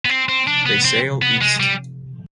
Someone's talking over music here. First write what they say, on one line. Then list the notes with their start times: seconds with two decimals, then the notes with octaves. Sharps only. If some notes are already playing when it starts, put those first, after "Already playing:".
They sail east.
0.05 B3
0.09 C4
0.29 C4
0.47 D4
0.66 B3
0.85 C4
1.22 B3
1.41 G#3
1.60 G3